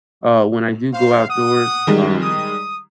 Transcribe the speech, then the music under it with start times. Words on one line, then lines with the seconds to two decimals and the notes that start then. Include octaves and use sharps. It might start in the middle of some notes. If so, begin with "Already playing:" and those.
uh, when I do go outdoors, um,
0.94 C5 F5
1.28 F#5 D#6
1.87 D#3 G3 G#3
2.22 D#6